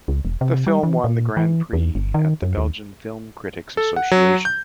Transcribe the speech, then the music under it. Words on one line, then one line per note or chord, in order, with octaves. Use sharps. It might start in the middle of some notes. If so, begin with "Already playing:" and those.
The film won the Grand Prix of the Belgian Film Critics Association.
C#2
E1
C3
G3
E3
A#2
E3
E2
G1
D#3
F#2
D#2
A4
F#5
F#3
G6